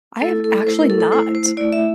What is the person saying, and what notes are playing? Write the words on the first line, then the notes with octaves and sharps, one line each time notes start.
I have actually not,
A3 E4 A4
A4
A3 E4 C5
A#4
A4
A4
A3 E4 C5
C5
A3 E4 D5
E5